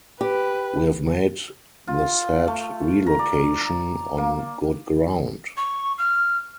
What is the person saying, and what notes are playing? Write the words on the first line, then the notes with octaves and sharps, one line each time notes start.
We have made the said relocation on good ground.
G4 B4
F4
A3
A#5
D5
A#5
A#3
C#6
F6